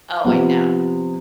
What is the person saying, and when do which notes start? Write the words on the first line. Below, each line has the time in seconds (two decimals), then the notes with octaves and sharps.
Oh, I know.
0.25 C3 F3 B3